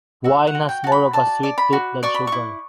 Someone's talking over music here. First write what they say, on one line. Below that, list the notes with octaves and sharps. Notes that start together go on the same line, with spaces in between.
Wine has more of a sweet-tooth than sugar.
F#4 E5
F#5
F#4
G5
F#4 A5
B5
D5 A5
D5
B5
F#4
D5 C#6
B5
E4 C#6